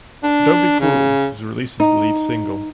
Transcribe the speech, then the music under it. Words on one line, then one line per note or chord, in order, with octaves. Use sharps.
"Don't Be Cruel" was released as the lead single.
D4
C#3
D#4